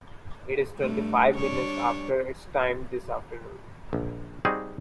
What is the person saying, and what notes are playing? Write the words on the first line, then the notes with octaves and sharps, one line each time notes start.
It is twenty-five minutes after its time this afternoon.
G2 A3
G3 D4 C#5
A#1
G3 C4 D#4 F#4 G#4